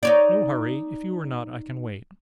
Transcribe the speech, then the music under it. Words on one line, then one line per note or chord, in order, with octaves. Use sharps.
No hurry; if you are not, I can wait.
D#4 C#5 D5